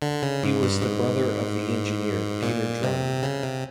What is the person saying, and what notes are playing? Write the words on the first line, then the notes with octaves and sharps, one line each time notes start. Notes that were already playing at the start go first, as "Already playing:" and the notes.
He was the brother of the engineer Peter Drummond.
D3
C#3
G#2
G2
G#2
A#2
C3
C#3
C3